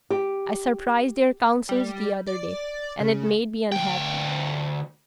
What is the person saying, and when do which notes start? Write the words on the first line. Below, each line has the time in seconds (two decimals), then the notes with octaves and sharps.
I surprised their councils the other day, and it made me unhappy.
0.10 G4
1.69 G3
2.27 D5
3.00 C#3
3.72 D2 G5